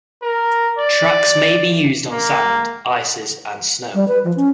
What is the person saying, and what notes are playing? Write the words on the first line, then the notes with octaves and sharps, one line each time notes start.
Tracks may be used on sand, ices and snow.
A#4
D5
A#3
G3
B4
F3
C#4